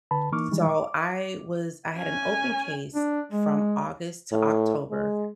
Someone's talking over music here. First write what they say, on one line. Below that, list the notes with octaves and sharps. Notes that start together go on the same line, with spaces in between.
So, I was I had an open case from August to October,
D3 B4 A5 B5
E3 A#3 D#4 C#6 D6 F6
D#3 E3 G3 G#3 D#4
D6
C#4 G#5
D4
G#3
A2
G#3